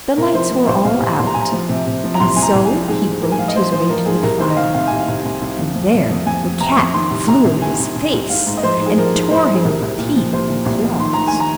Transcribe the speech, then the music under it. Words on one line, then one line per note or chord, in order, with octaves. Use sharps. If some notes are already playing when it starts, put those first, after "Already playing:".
The lights were all out, and so he groped his way to the fire, and there the cat flew in his face, and tore him with teeth and claws.
C3 A#4
F3 C5
F3
C2 C5
C2 F5
C2
C2 C6
A#5
C2 G#5
A#5
F3
C3
C3
F3
A#5
C2 C6
C2 G#5
A#5
C2
G#5
F3
G#2 G#4
G#2
G#2 A#4
G#5
F3 F5
D#5
F3 C5
F3 C5
F3 A#4
G#2 G#4
C2 A#4
D#3 C5
D#5
D#3 F5
C3 F5
C2 G#5
F5
C2
C2
C2
F2
F2
C3
F2
F2 G#5
F2
C3 A#5
F2
D#3 C6
C2
C3 A#5
C2
D#3 G#5
C2
C2
C2
G#2 F5
G#2
D#5
F3 C5
G#2
G#4
F3 A#4
G#2
F3 C5
G#2
G#4
C2 A#4
C2
A#2
F3
C2 C5
A#2
C2
F3
D#3 C6
D#3 A#5
G#5
D#3
A#5